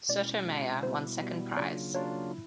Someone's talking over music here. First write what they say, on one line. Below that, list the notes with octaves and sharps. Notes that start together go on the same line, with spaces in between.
Sotomayor won second prize.
B2 G#3 C#4 E4 D5
B2 G#3 C#4 E4
B2 G3 B3 E4 C5
B2 G3 B3 E4
C#3 F#3 A#3 D4 F4 D5
C#3 F#3 A#3 D4 F4 C#5
E4